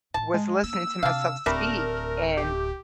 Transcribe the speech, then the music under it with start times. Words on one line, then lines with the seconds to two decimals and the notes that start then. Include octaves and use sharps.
was listening to myself speak and
0.14 A2 D#4 A5
0.34 G#3
0.64 A#3 E6
1.03 C3 D4 F5
1.46 D1 G3 A3 D4 A#4
2.37 G4